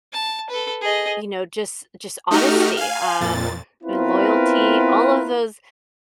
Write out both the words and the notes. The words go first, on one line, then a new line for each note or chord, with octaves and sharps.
you know, just just honesty, um, and loyalty, all of those
A5
A4 B4
G#4 D#5
A3 D#4 F#4 G4 F6
F5 G#5
F2 A#2 A6
B3 C4 E4 F4 A#4 B4